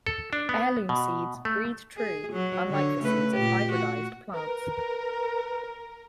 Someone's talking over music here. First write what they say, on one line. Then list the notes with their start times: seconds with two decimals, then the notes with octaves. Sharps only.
Heirloom seeds "breed true," unlike the seeds of hybridized plants.
0.06 A4
0.33 D4
0.49 B3
0.89 B2
1.45 A3
1.97 G#4
2.33 F#3
2.69 D3 C#5
3.00 C#3 A3 B4
3.34 A#2 G4
3.71 F#4
4.34 A#4 B4